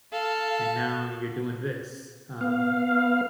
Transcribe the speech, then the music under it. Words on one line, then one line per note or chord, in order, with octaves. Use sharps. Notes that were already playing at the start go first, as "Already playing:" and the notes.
and now you're doing this." Um,
A4 F5
B3 F5